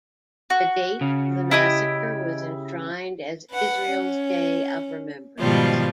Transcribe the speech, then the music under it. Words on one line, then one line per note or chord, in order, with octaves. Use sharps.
The date of the massacre was enshrined as Israel's Day of Remembrance.
F#4
C#3
E4 G4 D#5 D#6 G#6 D7
B4 F#5
C#4
G#2 B2 D#3 F3 G3 F4